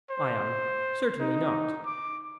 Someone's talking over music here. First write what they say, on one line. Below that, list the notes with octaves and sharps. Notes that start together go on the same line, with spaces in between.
ION: Certainly not.
C5
D#4
D6